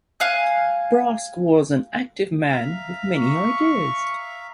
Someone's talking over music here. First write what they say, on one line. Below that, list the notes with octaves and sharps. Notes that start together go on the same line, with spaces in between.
Brask was an active man with many ideas.
F5 G#5 F#6
E5 F5 A#5
C#6